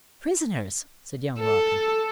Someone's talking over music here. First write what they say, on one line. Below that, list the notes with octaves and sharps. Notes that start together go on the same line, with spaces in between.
"Prisoners!" said young Robin.
A4